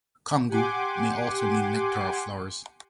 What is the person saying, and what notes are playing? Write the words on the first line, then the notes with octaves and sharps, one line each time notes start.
Kongu may also mean nectar of flowers.
G4 F#5 G#5 C6 D6